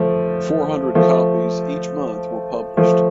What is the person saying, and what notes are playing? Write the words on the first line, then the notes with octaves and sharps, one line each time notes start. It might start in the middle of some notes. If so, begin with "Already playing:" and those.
Four hundred copies each month were published.
Already playing: F3 A3
F3 A3
F3 A3